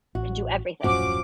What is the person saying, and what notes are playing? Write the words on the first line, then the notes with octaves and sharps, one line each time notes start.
Can do everything.
A1 F#4
D#1 F#2 A2 F3 C#4 F#4 D6